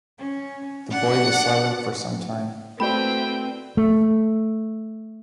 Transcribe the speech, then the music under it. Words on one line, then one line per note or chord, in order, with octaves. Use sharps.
The boy was silent for some time.
C#4
D4 F#5
A3 C4 E4 F#4 B4 D5 G5 B5
A3